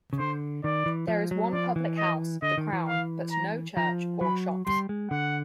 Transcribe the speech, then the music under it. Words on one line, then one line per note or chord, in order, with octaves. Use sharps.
There is one public house, the Crown, but no church or shops.
C#3
D3 C5
D#3 D5
E3
F3
F#3
F3 D5
E3
D#5
D3 D#5
D#3
E3
F5
A#5
F3 A#5
F#3 B5
G3 C6
G#3
D3 F#5